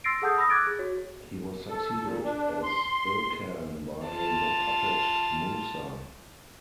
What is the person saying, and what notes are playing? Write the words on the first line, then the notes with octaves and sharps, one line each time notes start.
He was succeeded as Ilkhan by the puppet Musa.
C6 E6 A6 A#6 C7 D7
G#4 A4 F#5 A5 D#6 G6
B5 D#6 E6 A#6
D6 F#6 G#6 A6 D7
G#4
F#4 C#5
A4
A#2
D4
C6
F4 A5